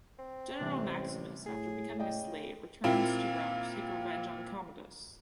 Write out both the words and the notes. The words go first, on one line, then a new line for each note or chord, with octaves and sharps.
General Maximus, after becoming a slave, returns to Rome to take revenge on Commodus.
C4
A1 C3 E3 G3
A2 G#4
C#3 D5 D#5 G5
A#2 A#3 C4 E4 F4